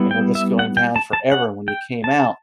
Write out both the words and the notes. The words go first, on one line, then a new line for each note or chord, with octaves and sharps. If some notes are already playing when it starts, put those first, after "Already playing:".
and were just going down forever, and when you came out,
Already playing: G3 B3 E4
G5
E5
F#5
G5
A5
A5
F#5
G5
A5